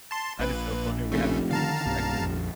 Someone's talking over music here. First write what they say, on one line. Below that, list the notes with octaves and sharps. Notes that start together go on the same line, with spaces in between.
That is so funny. We have different perspectives.
A5 C6
A#1 A#2 B4
F1 C#3 A3
D3 D#3 F5 A5 A#5
D#1 B1 G2
A#1 F2